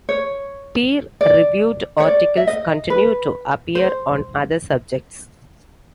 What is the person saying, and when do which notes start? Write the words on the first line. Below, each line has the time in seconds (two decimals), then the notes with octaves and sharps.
Peer reviewed articles continue to appear on other subjects.
0.09 C#5
1.21 D5
2.00 C#5
2.06 D5
2.37 E5
2.47 D#5
2.90 B4
3.75 C5